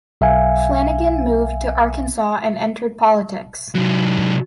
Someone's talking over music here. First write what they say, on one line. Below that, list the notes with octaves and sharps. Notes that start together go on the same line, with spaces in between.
Flanagin moved to Arkansas and entered politics.
B1 E5 F5 G#5
C3 F#3